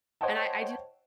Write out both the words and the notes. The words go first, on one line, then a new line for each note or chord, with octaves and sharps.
And I I do
C5 C#5 D#5 F#5 G5 A5